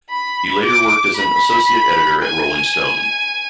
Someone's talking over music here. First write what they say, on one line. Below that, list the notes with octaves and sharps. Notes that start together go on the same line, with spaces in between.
He later worked as an associate editor at "Rolling Stone".
B5
D6
B5
G#5